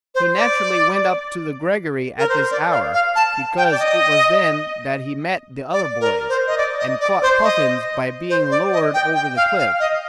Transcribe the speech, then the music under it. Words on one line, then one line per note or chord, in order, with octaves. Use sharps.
He naturally went up to The Gregory at this hour, because it was then that he met the other boys, and caught puffins by being lowered over the cliff.
C5
D5
A#4
C5
D5
F5
F5
A5
G5
D5
D#5
D5
A#4
C5
D#5
D5
D#5
D5
C5
D#5
C5
D5
D#5
G5
G5
F5
F5
D#5